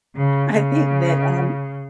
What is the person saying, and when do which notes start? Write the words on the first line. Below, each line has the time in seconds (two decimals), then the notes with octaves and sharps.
I think that, um
0.16 C#3
0.54 C#3